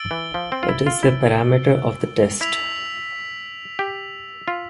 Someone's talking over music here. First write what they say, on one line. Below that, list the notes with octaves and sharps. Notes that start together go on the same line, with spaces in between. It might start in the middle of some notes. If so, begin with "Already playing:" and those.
It is a parameter of the test.
Already playing: E6 A6 D7 G7
E3
F3
C4
F4
E4
F4
E4
E4 E6 B6 F7
G4
F4